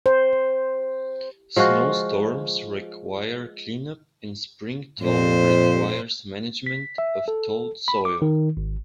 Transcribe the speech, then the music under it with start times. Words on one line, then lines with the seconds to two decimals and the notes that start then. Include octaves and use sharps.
Snowstorms require cleanup and spring thaw requires management of thawed soil.
0.06 C5
1.56 F3 G#3 F4 F#4
5.01 F2 A#2 C5
6.66 B6
6.98 E5
7.28 A4
7.88 B5
8.05 D6
8.22 D#3
8.57 G#1